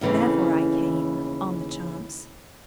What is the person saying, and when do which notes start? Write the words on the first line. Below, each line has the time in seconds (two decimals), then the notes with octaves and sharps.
Therefore I came--on the chance.
0.01 D#2 C#3 E3 A3 C4